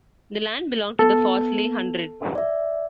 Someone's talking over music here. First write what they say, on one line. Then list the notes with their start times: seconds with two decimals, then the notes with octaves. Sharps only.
The land belonged to the Fawsley Hundred.
0.99 B3 A4
2.35 D5 E5